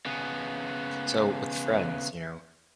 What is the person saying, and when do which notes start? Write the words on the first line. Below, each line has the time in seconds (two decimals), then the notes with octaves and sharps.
so with friends, you know,
0.06 C#3 B3